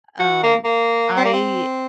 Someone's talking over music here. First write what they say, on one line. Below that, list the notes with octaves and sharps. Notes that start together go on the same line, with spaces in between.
um, I
F#4
A#3
A#3
C4
A#3
C4